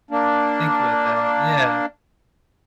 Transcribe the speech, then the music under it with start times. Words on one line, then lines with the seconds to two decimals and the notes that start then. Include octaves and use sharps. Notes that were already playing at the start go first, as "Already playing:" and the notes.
think about that, yeah.
0.11 A#3 D4